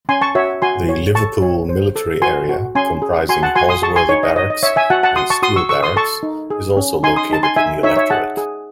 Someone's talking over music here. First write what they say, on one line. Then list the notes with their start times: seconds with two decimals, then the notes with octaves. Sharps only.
The Liverpool Military Area-comprising Holsworthy Barracks and Steele Barracks-is also located in the electorate.
0.09 C#4 G#5 C6
0.21 A5 C#6
0.35 F#4 C#5 E5
0.62 F#4 G#5 C6
0.89 C#5
1.15 A4 A5 C#6
1.42 C#5
1.69 C5
1.96 A4
2.22 F#4 G#5 C6
2.49 F#4
2.75 C#4 G#5 C6
3.02 G#4
3.29 F#4 G#5 C6
3.43 F#5 A5
3.56 F#4 G#5 C6
3.69 C6 D#6
3.82 G#4 A5 C#6
3.96 G#5 C6
4.09 D#4 C#5
4.23 D#5
4.36 C#5 D#5
4.50 D#5
4.63 C#5 E5
4.76 E5 G#5
4.90 F#4 F#5 A5
5.03 F#5 A5
5.16 F#4 C6 D#6
5.30 A5 C#6
5.43 F#4 C6 D#6
5.56 C#6 E6
5.69 A4 C#6 E6
5.83 C6 D#6
5.96 A4 A5 C#6
6.23 D#4
6.50 G#4
6.77 C#4
7.03 D#4 G#5 C6
7.16 C6 D#6
7.30 D#4 A5
7.43 G#5 C6
7.56 D#4 E5 G#5
7.83 D#4 C#5 E5
7.97 C#5 E5
8.10 G#4 F#5 A5
8.37 G#4